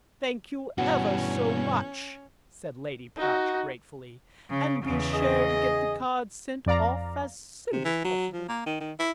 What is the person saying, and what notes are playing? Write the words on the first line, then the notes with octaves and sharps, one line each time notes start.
"Thank you ever so much," said Lady Prowche gratefully, "and be sure to get the cards sent off as soon as possible."
E2 G2 B2 C#4 F#4
D#4 F#4
C#3
E2 C#3
G#4 D#5
F2 D5 F5 A#5
C3
E3
F#3
F3
A#3
D#3
D#3
E4